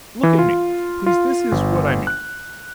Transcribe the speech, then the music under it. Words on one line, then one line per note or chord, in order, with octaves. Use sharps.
Look at me, please--this is what I mean....
E3
F4
F4
G1
F#6